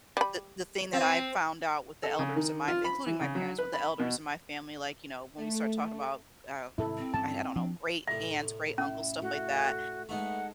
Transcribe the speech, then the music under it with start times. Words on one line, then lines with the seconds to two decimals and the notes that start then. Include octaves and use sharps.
the the thing that I found out with the elders in my f including my parents, with the elders in my family, like, you know, when we start talking about, um, mm, uh, I don't know, great-aunts, great-uncles, stuff like that,
0.17 G3 B5
0.93 C4
2.03 A4
2.19 C#3
2.36 D#3
2.68 F4
2.84 B5
3.06 E3
3.21 C#3
3.35 F#3
3.58 B4
3.73 B5
3.99 B2
5.37 A3
6.78 G#2 C3 D#3 E4 A4
6.98 C4
7.14 G2 E3 C#4 A5
7.56 F3 D4
8.08 C2 A2 E5
8.78 C#4 E4
9.22 A3 F#4
10.09 G#3 A3 B3 D#4 A4 F#5